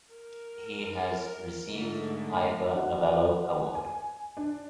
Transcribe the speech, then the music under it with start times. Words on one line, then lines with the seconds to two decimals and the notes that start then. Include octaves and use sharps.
He has received Ivor Novello Award.
0.13 A#4
1.71 G#2 D3 A3
2.76 F#4
3.75 G#5
4.37 D4